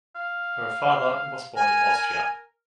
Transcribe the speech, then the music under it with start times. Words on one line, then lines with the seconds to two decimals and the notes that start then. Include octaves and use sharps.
Her father was born in Austria.
0.16 F5
1.56 A#4 G#5